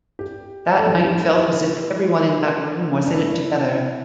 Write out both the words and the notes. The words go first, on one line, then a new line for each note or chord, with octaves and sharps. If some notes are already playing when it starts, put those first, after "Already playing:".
That night felt as if everyone in that room was in it together.
G4
A4
G4
E4
G4
E4
D4
E4